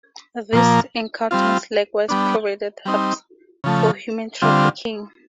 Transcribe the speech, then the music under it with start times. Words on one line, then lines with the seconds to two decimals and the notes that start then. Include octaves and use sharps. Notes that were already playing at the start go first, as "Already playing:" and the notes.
These encounters likewise provided hubs for human trafficking.
0.53 A#2 F3 A#3
1.31 G3 C4 F4
2.09 G3 B3 D4
2.85 G3 C4 D#4
3.64 C#3 F3 A3
4.42 D3 G3 C4 F4